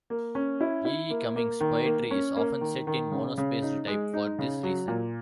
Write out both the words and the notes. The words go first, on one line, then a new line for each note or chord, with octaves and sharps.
E. E. Cummings' poetry is often set in monospaced type for this reason.
A#3
C#4
E4
E4
A#3
A#3
D#3
A#3
C#4
A#3
D#3
D#3
C#3
C#3
D#4
G#3
D#4
C#3
F#3
A#2